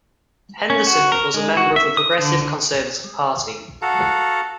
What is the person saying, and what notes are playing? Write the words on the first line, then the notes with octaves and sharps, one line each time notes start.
Henderson was a member of the Progressive Conservative Party.
C#4
F#4
A#4
G#3
F#4
E5
D#6
D3
D3
F#4 A4 F5 F#5 A5 A#5